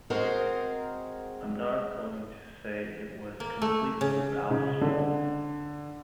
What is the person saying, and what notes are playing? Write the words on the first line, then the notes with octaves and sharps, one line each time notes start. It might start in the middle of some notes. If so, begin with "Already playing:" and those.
I'm not going to say it was completely Ralf's fault.
G#3 C4 F#4 G#4 A#4 C5
A#3
A3
C#3
C#3
D3